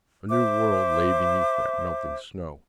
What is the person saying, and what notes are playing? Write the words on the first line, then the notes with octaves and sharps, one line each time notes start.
A new world lay beneath that melting snow.
C5 E5 D6